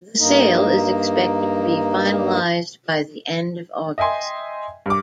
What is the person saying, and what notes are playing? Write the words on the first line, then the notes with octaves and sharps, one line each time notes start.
The sale is expected to be finalized by the end of August.
G2 A#3 D#4
D#5 E5 G5 G#5 C6
G2 D6